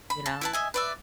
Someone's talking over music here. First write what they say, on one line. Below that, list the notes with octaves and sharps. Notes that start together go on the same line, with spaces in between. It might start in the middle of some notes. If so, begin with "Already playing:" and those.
you know?
B5
A5
E4 B4 A5
D#5 E5 G#5
B4 D5 E5